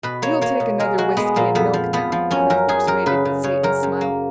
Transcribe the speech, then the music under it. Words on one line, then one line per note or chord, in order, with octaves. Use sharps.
"You'll take another whiskey and milk now," Kraft persuaded, with Satan's smile.
B2 B4
A#3 C#5
A#3 C#5
B2
G#3 A#4
G#3 F#4
G#3 B3
A#2 A#3
F2 B3
F3
F3 B3
F3
F#2 C#4
F#2 A#4
F#2 G#4
F#2 A#4
C#3 B4
C#3
C#3 C#5
F#2 A#4
F#2
A#3